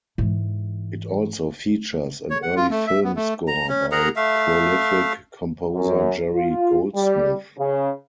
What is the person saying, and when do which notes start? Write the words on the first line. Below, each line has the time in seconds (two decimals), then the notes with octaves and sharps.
It also features an early film score by prolific composer Jerry Goldsmith.
0.18 G#2 E3
2.30 C#5
2.43 F#5
2.56 F4
2.71 A3
2.87 E5
3.04 B3
3.16 A3
3.47 A#5
3.69 C#4
3.92 G#4 A#4 F#5 A#5
4.16 A3 E5 F5
5.75 F#2
6.34 F4
6.95 G3
7.58 C#3